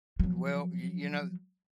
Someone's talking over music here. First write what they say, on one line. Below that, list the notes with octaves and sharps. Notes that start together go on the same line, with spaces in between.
Well, y you know,
F3 F#3